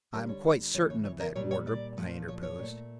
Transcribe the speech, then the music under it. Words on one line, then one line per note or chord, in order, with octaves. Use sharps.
"I am quite certain of that, Wardrop," I interposed.
D3 G3 A#4
C#5
C#3 E3 A3 C#5
C#5
C#5
A#4
A#2 G3 C#5
C#5
D5
A#2 F3 A3
C#5
C#5
A#2
A3